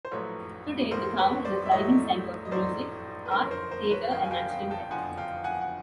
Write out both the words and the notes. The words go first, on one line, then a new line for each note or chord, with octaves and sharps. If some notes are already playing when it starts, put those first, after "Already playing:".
Today, the town is a thriving centre for music, art, theatre and natural health.
C5
A#1 A2 F#3 A3 B4 C#5
A#1 A2 F#3 A3 A#4 C5
B4 C#5
C5 D5
E5
A#1 A2 F#3 A3 C#5 D#5
D#5
A#1 A2 F#3 A3 C5 D5
B4
F#1 F2 D3 F3 A#4 C5
C#5
A#4 C5
A#4 C5
B4 C#5
F#1 F2 D3 F3 F5 G5
G#5
F5 G5
F5 G5
G5 A5
F#1 F2 D3 F3 F#5 G#5
F5 G5
F#5 G#5
F#5